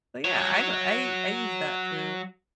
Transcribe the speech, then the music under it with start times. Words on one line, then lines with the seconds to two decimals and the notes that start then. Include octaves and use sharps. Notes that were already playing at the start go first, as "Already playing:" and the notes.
But, yeah, I d I I used that too.
0.24 F#3 C#5